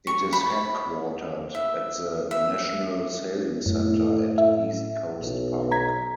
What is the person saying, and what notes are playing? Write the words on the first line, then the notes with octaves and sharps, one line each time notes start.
It is headquartered at the National Sailing Centre at East Coast Park.
C#6
B5
E5
E5
F#2 A2
E5
B1
A#5 G#6 B6